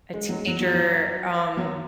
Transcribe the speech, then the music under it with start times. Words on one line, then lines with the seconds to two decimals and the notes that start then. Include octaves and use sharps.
a teenager, um,
0.14 G#3
0.29 F#3
0.33 G#3
0.48 F#3
0.61 F#3
0.74 F#3
1.57 F#3